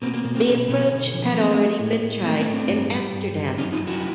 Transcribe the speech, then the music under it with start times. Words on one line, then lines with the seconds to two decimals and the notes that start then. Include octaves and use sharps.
The approach had already been tried in Amsterdam.
0.02 B2 A#3 C4
0.14 A#3
0.24 B2 A#3
0.35 A#3 C4
0.46 B2 B3 C#4
0.68 B2 B3 C#4
0.91 D3
1.13 F3
1.29 B3
1.35 A3 A#3 C4
1.57 A3
1.79 A2
2.02 A2
2.24 A3 A#3 C4
2.39 B3 C#4
2.47 A2
2.53 C4 D4
2.69 G2
2.91 G3
3.13 G2
3.35 G2
3.58 F#2 C#4 D#4
3.72 D#4 F4
3.80 F#2
3.87 E4 F#4